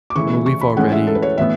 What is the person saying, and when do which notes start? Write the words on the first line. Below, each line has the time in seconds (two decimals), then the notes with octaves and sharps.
I mean, we've already
0.10 D6
0.16 C#3 E3 A3 E4 C#6
0.46 C#6
0.61 B5
0.76 A2 E3 G#3 C#4 F#5
0.92 E5
1.07 A4
1.15 B4
1.22 C#5
1.38 A2 E3 B3 E5